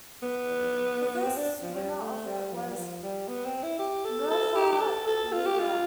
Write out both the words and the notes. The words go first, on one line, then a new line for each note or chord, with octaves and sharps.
The first winner of it was Mirtha Legrand.
B3
C4
D4
F3
G3
A3
G3
F3
G3
F3
G3
B3
C4
E4
G4
A4
A4
G4
G4
A4
A4
F4
G4
F4